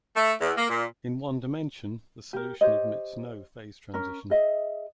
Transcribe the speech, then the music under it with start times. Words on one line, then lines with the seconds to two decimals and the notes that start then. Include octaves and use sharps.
In one dimension, the solution admits no phase transition.
0.16 A3
0.40 E2
0.57 A#3
0.69 A#2
2.33 G4 A#4
2.61 G4 C5 C#5 D#5
3.94 C#4 A#4
4.30 G#4 D#5 E5